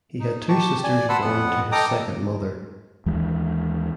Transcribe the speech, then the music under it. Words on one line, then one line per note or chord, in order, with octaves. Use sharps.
He had two sisters born to his second mother.
D#4
G4 A5 C#6
D5 G#5
B4 F#5 A5 B5 C6 E6
F2 B3 B4 F#5
A4 D#5 G5 A#5 D6 D#6
D#2 E3 G#3